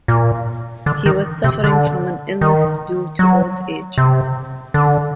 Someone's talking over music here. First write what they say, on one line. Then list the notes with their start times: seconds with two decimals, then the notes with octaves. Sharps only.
He was suffering from an illness due to old age.
0.08 A#2
0.86 D3
1.06 D#3
1.44 C3
1.64 D3
2.41 D#3
3.19 F#3
3.98 C3
4.74 D3